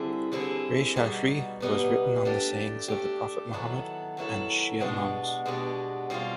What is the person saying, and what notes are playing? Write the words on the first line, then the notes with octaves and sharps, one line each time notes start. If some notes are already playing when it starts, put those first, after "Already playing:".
Reyshahri has written on the sayings of the prophet Mohammad and Shia Imams.
Already playing: D3 G3 C4 E4 G#4
D3 G3 C4 E4 G#4
B2 G3 B3 D#4
B2 G3 B3 D#4
A3 D4 G4
A3 D4 G4
D#3 F#3 B3 E4 A4
D#3 F#3 B3 E4 A4
B2 G#3 B3 D4 G4
B2 G#3 B3 D4 G4
B2 G3 C4 F4